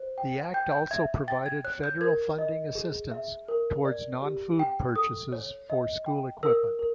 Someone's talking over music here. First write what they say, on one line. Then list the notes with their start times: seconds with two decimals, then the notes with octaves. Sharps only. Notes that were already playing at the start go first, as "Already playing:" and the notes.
The act also provided Federal funding assistance towards non-food purchases for school equipment.
Already playing: C5
0.18 G5
0.54 G5 G6
0.72 G6
0.91 E5 G#6
1.28 G5 A6
1.46 G#6
1.64 C#5 F#6
1.84 G6
2.01 A#4 G#6
2.39 D#5
2.75 G#4
3.12 E5
3.48 A#4
3.85 D5
4.22 G4
4.59 G5
4.96 A4 D#6
5.32 C#5
5.70 D#5
6.06 G5
6.43 A#4 E6
6.79 A#4